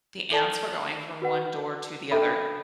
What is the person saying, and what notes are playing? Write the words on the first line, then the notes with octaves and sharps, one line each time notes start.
the ants were going from one door to the other.
A4 D5 A5
F#4 B4 F#5
D4 A4 E5 B5